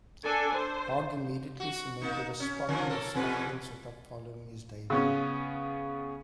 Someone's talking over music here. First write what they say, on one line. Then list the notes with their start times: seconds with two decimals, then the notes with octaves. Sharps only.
Hogg immediately cemented a spot in the Scotland setup following his debut.
0.24 D4 A4 G#5
0.54 C5
1.60 F#4
2.01 A#3 D#4
2.40 C#4
2.69 D3 F3 C#4
2.89 A#3 A4 A#4
3.14 E2 B2 B4
4.90 C#3 B3 C#4